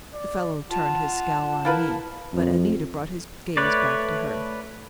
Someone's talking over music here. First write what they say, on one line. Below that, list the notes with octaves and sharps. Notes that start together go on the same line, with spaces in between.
The fellow turned his scowl on me, but Anita brought his gaze back to her.
D5
F4 F#5 A5
E4 F4 A#4 B4
F2
A3 B4 C#5 D5